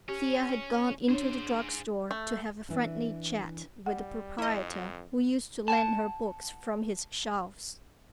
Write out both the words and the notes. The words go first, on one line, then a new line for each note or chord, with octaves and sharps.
Thea had gone into the drug store to have a friendly chat with the proprietor, who used to lend her books from his shelves.
C#4 G4
D4 G#4 C5 C#5
A3
E3 D4
G3 F#5
F2 E4 D#5
F#5 G#5 A5